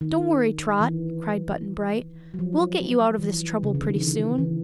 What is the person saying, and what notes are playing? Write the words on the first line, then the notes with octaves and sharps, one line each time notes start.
"Don't worry, Trot," cried Button-Bright; "we'll get you out of this trouble pretty soon."
D#3
E3
F#3
F3
E3
C#3
D3
D#3
E3
E3